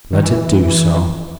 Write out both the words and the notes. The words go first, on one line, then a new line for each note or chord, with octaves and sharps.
"Let it do so."
D#3
E3